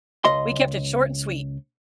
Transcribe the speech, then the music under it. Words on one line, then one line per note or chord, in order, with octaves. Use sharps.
"H we kept it short and sweet,"
C#2 D#5 C6